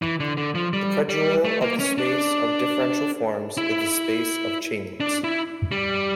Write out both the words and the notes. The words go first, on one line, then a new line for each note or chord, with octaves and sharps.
The predual of the space of differential forms is the space of chainlets.
E3
D3
D3
F3
G3
G3
A3
A#3
C#4
D4
E4
D4
E4
G3